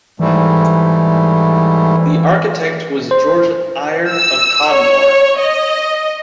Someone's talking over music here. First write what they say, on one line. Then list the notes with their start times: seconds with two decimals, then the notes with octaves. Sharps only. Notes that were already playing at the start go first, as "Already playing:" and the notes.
The architect was George Eyre of Codnor.
0.20 G#2 E3 G3 A3
3.11 C5
4.10 E6
4.70 C#5
5.39 D#5